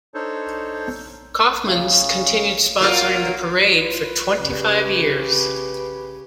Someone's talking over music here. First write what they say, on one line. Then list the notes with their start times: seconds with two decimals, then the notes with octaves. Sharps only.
Kaufmann's continued sponsoring the parade for twenty-five years.
0.14 D4 D#4 A4 C5 C#5
1.69 C#3
2.81 F#3 A#3 F4 A#4
3.77 F4 B4
4.38 C#3 G4